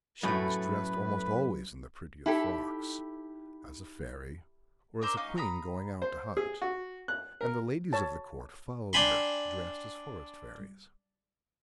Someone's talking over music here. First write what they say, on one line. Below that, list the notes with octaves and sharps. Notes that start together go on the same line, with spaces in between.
She was dressed almost always in the prettiest frocks, as a fairy, or as a queen going out to hunt, and the ladies of the Court followed her dressed as forest fairies.
F#2 A2 A3 B4
D#4 E4 G4 A4
D4 A#4 C5 E6
C#4 D#4 D#5 F5
F5 A#5 B5 D#6
C5
G#4
F#4
F#6
A#4
C#5 A5
D4 G5 G#5 B5 C6